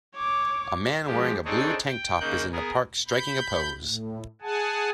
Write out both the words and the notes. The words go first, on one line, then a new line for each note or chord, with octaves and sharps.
A man wearing a blue tanktop is in the park striking a pose.
C#5 D6
F3 G#3 G4
C4 D4 D#4 G#4 A4 C#5
G5
C#3 A#3 D#4 F#6 G6
B3 G#4 A#4
B5 G6
A2
G#4 F#5 G#5 A5